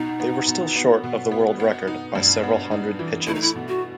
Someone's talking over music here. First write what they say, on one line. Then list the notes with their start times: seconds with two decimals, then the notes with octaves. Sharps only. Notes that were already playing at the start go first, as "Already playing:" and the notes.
They were still short of the world record by several hundred pitches.
Already playing: B2 D#4
0.20 B3
0.48 B2
0.76 B3
1.04 B2
1.31 B3
1.60 B3
1.87 D#4
2.15 G2
2.43 B3
2.71 D#4
2.99 E3
3.27 A3 E4
3.35 D#4
3.42 E4
3.55 B2
3.68 F#4